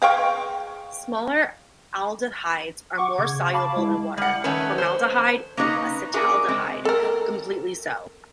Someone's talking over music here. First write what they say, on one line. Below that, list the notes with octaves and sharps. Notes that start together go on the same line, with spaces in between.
Smaller aldehydes are more soluble in water, formaldehyde and acetaldehyde completely so.
G#4 F5 G5 C#6
F#5 C#6 D6
C#3 G#6
F5 A5 B5 D6
G#3 E4
G3 F#5
D#3 A3 C#4 B4
C5
A#3 C#4 D#4 B4
D4 F#4 G#4 A#4 E5
G#3 C4
A4 A#4